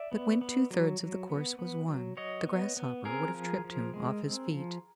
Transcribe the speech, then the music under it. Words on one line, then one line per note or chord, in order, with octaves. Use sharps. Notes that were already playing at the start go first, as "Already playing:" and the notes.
But when two thirds of the course was won, the grasshopper would have tripped him off his feet.
Already playing: D5 E5
B3
B3
F#3
F#3
B3
B3
F#3
F#3 C#5 D#5
B3
B3
C4 G#4 A#4
F3
F3
G#3
C4
F3